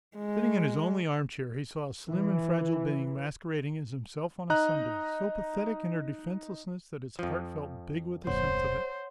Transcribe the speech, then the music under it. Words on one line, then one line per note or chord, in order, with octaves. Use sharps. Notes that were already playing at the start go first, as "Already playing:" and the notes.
Sitting in his only arm-chair he saw a slim and fragile being masquerading as himself on a Sunday, so pathetic in her defencelessness that his heart felt big with the sense of it.
G#3
E3
D#4 D#5 A#5 F#6
F2 F3
D#1 F#2 B2 C5 C#5 F#5 C6